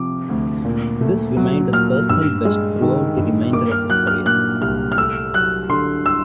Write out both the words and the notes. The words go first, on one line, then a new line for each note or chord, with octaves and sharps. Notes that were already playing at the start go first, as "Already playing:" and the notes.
This remained his personal best throughout the remainder of his career.
Already playing: C3 F3 D6
D2
A#2
A3
F#3
A#2 F6
G2 E6
G#3
D#3
G2
A#3 D6
F6
F#3 F#6
F6
A#2 F#6
C2 F6
F6
A3 E6
F#3 F#6
D3 C6
E6